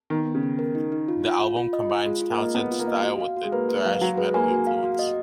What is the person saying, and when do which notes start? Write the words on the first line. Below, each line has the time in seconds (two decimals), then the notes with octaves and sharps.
The album combines Townsend's style with a thrash metal influence.
0.10 D#3 B3
0.27 B3
0.35 C#3
0.43 B3
0.59 A#4
0.75 D#4
0.92 D#4
1.08 F4
1.24 F4
1.41 F4
1.57 F4
1.73 D#5
1.90 F4
2.06 G#3 F4
2.22 F4
2.30 A#3
2.38 D#5
2.55 B3 B4
2.71 F4
2.79 A#3
2.88 D#5
3.04 F#4
3.20 F5
3.37 F#4
3.43 G#3
3.52 A#3 B4
3.69 G#3 B4
3.85 F#3 F5
4.01 F#3 F#4
4.18 G#3 B4
4.34 A#3 G#5
4.50 F#4
4.67 F5
4.83 F#4
4.99 D#5